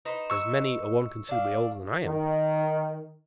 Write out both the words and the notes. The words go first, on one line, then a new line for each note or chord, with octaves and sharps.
"There's many a one considerably older than I am."
D#4 B4 C5
C#6 E6
D4 F5
D#3